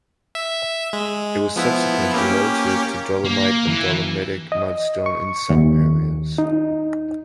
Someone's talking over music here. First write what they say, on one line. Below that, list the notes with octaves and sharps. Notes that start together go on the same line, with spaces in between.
It was subsequently altered to dolomite and dolomitic mudstone in some areas.
E5
G#3
F3 B3 E4
A#3 C#4 G4
A#3
E3
D#5
C#6
D#2
D#4